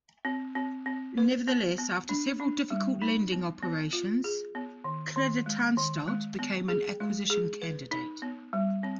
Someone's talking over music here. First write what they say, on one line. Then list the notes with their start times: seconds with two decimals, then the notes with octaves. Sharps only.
Nevertheless, after several difficult lending operations, "Creditanstalt" became an acquisition candidate.
0.25 C4
0.55 C4
0.86 C4
1.18 B4
1.48 B3
1.78 B3
2.09 D4
2.40 D4
2.70 G3
3.02 D#4
3.32 B3
3.63 B3
3.93 F4
4.24 G#4
4.55 B3
4.84 D#3
5.16 D#3
5.46 G#3
5.77 D#3
6.08 G#3
6.39 B3
6.68 G#4
7.00 G#3
7.30 G#4
7.62 B4
7.91 D#4
8.22 B3
8.53 G3
8.83 C4